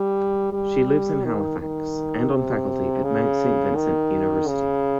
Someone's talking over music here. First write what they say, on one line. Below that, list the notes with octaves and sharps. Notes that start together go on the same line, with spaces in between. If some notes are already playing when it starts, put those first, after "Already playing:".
She lives in Halifax, and on faculty at Mount Saint Vincent University.
Already playing: G3
G3
D#3
D#3
C3
C#3
D#3
C#3